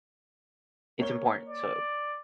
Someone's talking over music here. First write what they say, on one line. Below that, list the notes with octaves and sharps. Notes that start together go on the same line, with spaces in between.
it's important, so
A#3 C#5 G7
D5